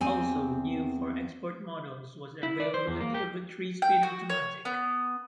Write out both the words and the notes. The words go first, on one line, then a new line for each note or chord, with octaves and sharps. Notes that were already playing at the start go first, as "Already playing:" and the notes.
Also new for export models was the availability of a three-speed automatic.
E2 C4 G#5
E4
D5
C5
E2
A#3
G4
G5
F#4
C#5
B3